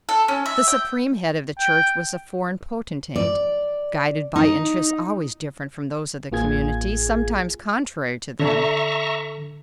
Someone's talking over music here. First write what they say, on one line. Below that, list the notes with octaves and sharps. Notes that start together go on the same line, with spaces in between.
The supreme head of the church was a foreign potentate, guided by interests always different from those of the community, sometimes contrary to them.
A4
C#4
E5
G5
G5
D5
D#4
A1 A#3 F4 G#4 G#6
D3 A4 E5 A#5 C#6